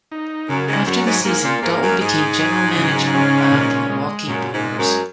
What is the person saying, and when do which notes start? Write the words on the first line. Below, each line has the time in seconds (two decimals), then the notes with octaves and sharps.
After the season, Dalton became general manager of the Milwaukee Brewers.
0.12 D#4
0.49 F#2 C#3
0.68 G#2
0.87 F#2 F#3
1.06 G#2
1.25 G#2 A#3
1.44 A#2
1.62 G#2 A#3
1.81 F#2
2.00 G#2 G#4
2.39 F#3
2.76 C#3
3.14 C#4
3.52 A#2
3.89 G#3
4.27 F#2 A#2
4.53 G#2
4.65 G#3
4.78 F#2